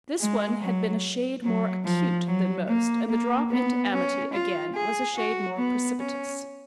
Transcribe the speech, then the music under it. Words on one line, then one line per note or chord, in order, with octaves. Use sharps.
This one had been a shade more acute than most, and the drop into amity again was a shade more precipitous.
G#3
F#3
F#3
F3
F#3
A#3
A#3
B3
C#4
F4
G#4
F#4
B3
C#4